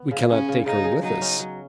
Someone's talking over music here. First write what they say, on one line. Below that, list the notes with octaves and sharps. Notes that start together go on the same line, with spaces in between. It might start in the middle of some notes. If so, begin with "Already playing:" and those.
"We cannot take her with us."
Already playing: B3
C#3
B3 C#4
C#3
C#3 D#4
G#4
F#3 D#4
C#4
F#3